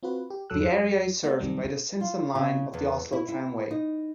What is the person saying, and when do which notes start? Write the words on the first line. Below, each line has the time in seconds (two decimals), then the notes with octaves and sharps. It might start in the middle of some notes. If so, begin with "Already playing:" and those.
The area is served by the Sinsen Line of the Oslo Tramway.
0.03 C4 F4 F#4 B4
0.30 G4
0.50 E2 G2 F#3 A4 E6 F#6
0.64 F#2
1.23 A3 B3 D5 F#5
1.39 C2 F#2 D#3 G3 C4
2.01 F4
2.35 C#3
2.74 E2
3.13 E4
3.28 E4
3.71 D#4